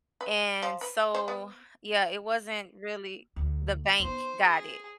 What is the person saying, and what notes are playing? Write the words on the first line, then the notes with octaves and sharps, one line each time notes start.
And so Yeah, it wasn't really the bank got it.
B4
F3
B4
C5
B3
D2
B3 D#4 C5
G#4